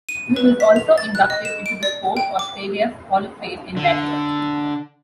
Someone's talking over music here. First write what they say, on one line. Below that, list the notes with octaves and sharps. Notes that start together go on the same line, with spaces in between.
He was also inducted into the Sport Australia Hall of Fame in that year.
D#7
B4
B6
F7
A6
F#6
D#5
E7
D7
D5
G5
D6
D3